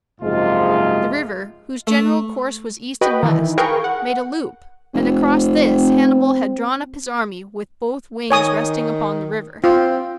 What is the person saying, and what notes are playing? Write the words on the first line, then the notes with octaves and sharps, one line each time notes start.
The river, whose general course was east and west, made a loop, and across this Hannibal had drawn up his army with both wings resting upon the river.
F#1 G#2 C3 F3 G#3 F4
A3
F#4 B4 D#5 G5 B5
D#3 E3
G#4 A#4 B4 F5 G5 C#6
F#5
F1 C4
D#3 C#5 G#5 D#6
C4 F4